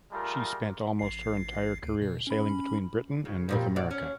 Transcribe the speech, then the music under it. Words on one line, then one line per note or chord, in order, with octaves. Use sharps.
She spent almost her entire career sailing between Britain and North America.
G3 A3 F4 G#4 A#4
A1 C7
D2
B2
C#4 B5
C#3
F2 A#2 G3
B2 D5
C#4